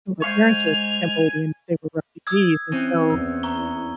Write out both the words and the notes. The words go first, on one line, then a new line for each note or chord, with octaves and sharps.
her parents are Cambodian, they were refugees, and so
G#3 C5 F5 G#5 C#6 F7
D#6 E6 G#6
E3 C4 C#4
E2 E6
A#5 C#6 G7